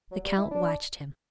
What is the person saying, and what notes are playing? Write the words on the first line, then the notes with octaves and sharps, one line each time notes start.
The count watched him.
F#3
G3
E4
D4